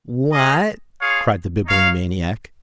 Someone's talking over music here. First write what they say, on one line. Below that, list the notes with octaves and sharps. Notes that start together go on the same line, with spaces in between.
"What?" cried the Bibliomaniac.
G#3 C#4 G#4 D#5
F4 G#4 C#5 F5
D#4 C#5 F5